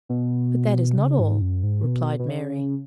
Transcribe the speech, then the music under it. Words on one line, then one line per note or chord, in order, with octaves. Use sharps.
"But that is not all," replied Mary.
B2
C#3
G#2
F#2
G#2
B2
B2
C#3